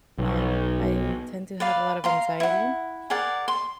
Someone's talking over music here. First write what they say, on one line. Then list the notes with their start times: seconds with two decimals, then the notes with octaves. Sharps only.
Um, I tend to have a lot of anxiety
0.19 B1
1.60 B4 D5 F5
2.04 F5 A#5 C6
2.40 E4 F#5
3.10 G#4 A#4 D5 F#5
3.48 C6